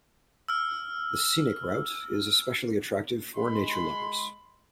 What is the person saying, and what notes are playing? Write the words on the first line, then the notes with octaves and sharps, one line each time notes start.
The scenic route is especially attractive for nature lovers.
E6 F6
G#3 B5 C6